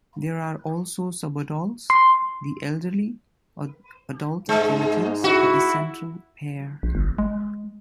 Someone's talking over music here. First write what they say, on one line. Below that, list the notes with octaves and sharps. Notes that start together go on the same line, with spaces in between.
There are also subadults, the elderly, or adult relatives of the central pair.
C6
G#2 G#3
E4 F#4
A#1
G1
G#3